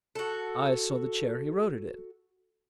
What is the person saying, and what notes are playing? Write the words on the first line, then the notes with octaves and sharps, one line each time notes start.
I saw the chair he wrote it in.
F#4 A4